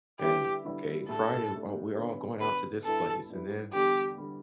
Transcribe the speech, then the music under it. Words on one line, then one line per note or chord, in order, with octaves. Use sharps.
and, "Okay, Friday. Oh, we're all going out to this place and then,
D3 G3 E4 G4 B4 E5
D3 G3 E4 B4 E5
A2 A3 D4 A4
A2 A3 D4
D3 B3 D4 A4
D3 B3 D4 A4 B4
G2 G3 E4 A4 B4
G2 G3 E4 B4
E2 D3 G3 G4
D3 G3